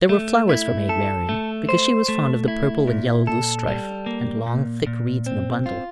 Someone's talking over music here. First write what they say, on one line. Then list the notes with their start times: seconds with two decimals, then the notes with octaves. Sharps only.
There were flowers for Maid Marian, because she was fond of the purple and yellow loosestrife, and long thick reeds in a bundle.
0.09 A3
0.49 E4
0.89 A4
1.29 A3
1.69 C5
2.08 A3
2.48 E4
2.88 A#2
3.27 A4
3.68 G3
4.06 A#3
4.46 A#2
4.87 A#2
5.26 C4
5.66 F4